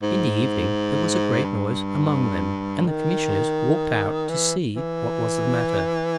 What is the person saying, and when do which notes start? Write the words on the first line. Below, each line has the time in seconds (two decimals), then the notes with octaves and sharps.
In the evening there was a great noise among them, and the commissioners walked out to see what was the matter.
0.03 G#2
1.44 G2
2.87 D#3
4.29 E3
4.76 E3